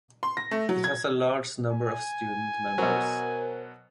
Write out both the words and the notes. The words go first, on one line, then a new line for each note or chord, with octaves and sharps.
It has a large number of student members.
C6
A#6
A3
F#3
G#6
G#5
B2 F#3 A#4 C5